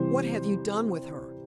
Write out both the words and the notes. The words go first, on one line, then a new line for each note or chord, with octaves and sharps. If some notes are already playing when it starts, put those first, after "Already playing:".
What have you done with her?
Already playing: C3 E3 G3 C5